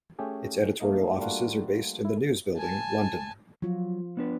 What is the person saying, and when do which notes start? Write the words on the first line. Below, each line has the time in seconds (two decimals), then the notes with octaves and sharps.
Its editorial offices are based in The News Building, London.
0.19 A3 C#4 G4 G#4
0.80 A3 A#3 D#4 D#5
1.19 G3 A3 A#3 D4 F4 F#4
2.05 E4
2.57 G#5 A5
3.62 F3 F#3 F4
4.17 B3 D4 B4